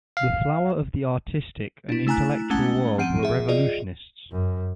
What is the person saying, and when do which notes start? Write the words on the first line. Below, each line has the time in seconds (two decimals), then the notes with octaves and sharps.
The flower of the artistic and intellectual world were revolutionists.
0.17 F5
1.89 D4 E4
2.07 A3 E4 G#5 A#5 F#6
2.50 G#3 A3 C#4 F#5 A5 G7
2.98 F3 C4 F#5 D7 D#7
3.23 G#4 E5
3.48 F4 G#4 D5 D#5
4.32 F#2